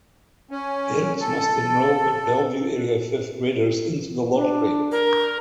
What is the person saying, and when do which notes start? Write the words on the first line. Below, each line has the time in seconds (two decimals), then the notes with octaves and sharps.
Parents must enroll their Bellevue-area fifth graders into the lottery.
0.51 C#4
1.20 A4
4.36 D4
4.92 A#4